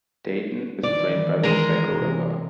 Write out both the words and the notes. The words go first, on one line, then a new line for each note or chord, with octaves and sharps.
Dayton is drained by the Saco River.
D#3 E3 D5
G#3 A#4
C3 E3